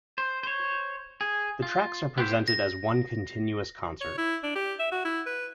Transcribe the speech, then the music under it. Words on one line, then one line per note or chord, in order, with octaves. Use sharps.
The tracks are presented as one continuous concert.
C5
C5 C#5
G#4
F4
B3 G4 C5 E5
A#6
C#5
E4
D4
G4
E5
F#4
E4
B4